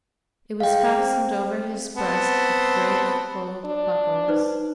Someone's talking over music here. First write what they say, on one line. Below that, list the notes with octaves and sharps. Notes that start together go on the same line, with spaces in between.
It was fastened over his breast with great gold buckles.
G#3 F5 G5
C4
B3 C4 A5
D4
D#4 B4 C5